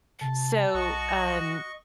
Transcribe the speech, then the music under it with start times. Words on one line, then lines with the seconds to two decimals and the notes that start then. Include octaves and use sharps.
So, um,
0.21 C3 A5
0.74 B1 F#4 D#5 C#6